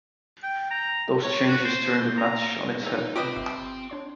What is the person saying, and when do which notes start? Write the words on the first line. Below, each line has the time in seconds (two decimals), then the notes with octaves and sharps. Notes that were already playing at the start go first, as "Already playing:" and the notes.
Those changes turned the match on its head.
0.43 G5
0.71 A#5
1.23 C#5
1.48 F#4
1.64 C5
2.17 A#5
2.81 D#4 G#4 E5 E6
3.16 C4 F4 G4 B4 D#5
3.36 G1 E5
3.90 D4 C#5 C6